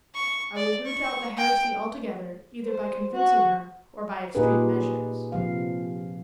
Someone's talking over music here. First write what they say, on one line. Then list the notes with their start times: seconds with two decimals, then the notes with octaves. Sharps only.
"I will root out the heresy altogether, either by convincing her, or by extreme measures."
0.15 C#6
0.56 D5
0.86 C#6
1.37 G5
2.65 C5
3.13 F#4
4.35 A#2 D#4 F4 G4 G#4 B4
5.32 C3 F3 F5